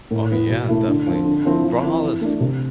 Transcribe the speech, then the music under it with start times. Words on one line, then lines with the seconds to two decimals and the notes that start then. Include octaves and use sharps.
Oh yeah, definitely. Brawlhalla is
0.11 A2
0.31 E3 B3
0.49 B2
0.68 A3 E4
0.88 D3
1.07 F3 C4
1.25 D3
1.45 F3 C4 E4
1.64 F3
1.83 C4 E4
2.02 E3
2.21 A3 D4
2.40 C3